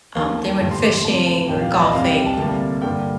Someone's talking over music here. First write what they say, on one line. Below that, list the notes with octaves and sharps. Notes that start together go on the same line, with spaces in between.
um, they went fishing or golfing.
D#2 D#3 A#3 F5
A5
G5
A1 G2 D3 A3 A5
C6
D6
C6
F2 C3 F3 A3 A5
A5
C2 A#2 F3 A#3 G5
F5
D5
D#5
C2 C3 G3 F5
G5
A5
D2 C3 G3 A#3
G2 D3 G3 A#3 G5